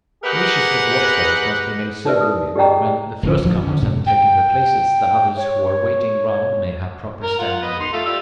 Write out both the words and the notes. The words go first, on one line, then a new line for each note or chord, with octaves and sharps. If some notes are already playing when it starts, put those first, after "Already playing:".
Niches for washbowls must be made so roomy that when the first comers have taken their places, the others who are waiting round may have proper standing room.
G4 G#4 A#4 B4 D#5 F#5
D#4 G4 A#4 B4 D5 E5
D#6
G4 G#4 D5 D#5 G5 A#5
G#4
D1 D2 C#4
D1 F3 G3
D3 C#4
G#2 C3
G5
C#5
A#4
F4 F#5
B3 D#5
D#4 C6
A3 F4
G3 F4 E6